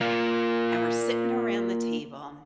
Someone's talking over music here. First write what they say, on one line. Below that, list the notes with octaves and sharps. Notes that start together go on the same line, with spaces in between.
and we're sitting around the table,
A#3 F4